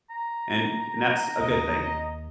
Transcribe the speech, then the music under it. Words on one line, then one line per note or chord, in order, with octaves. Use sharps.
and and that's a good thing.
A#5
D#2 D#5